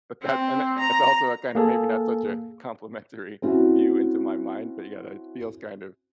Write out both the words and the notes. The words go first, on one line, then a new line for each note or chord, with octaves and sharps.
but that and it it's also a kind of maybe not such a complimentary view into my mind, but, yeah, that feels kind of
C4
A#5
A#3 G#4 A4
C4 C#4 E4 F#4